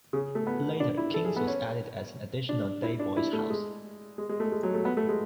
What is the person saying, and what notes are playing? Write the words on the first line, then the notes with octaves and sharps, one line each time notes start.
Later, King's was added as an additional day-boys house.
C#3
A3
B3
D4
E4
A4
G#4
B3
C#4
D4
E4
D4
E4
A3
G#3
G#3
G#3
A3
G#3
F#3
A3
B3
A3
G#3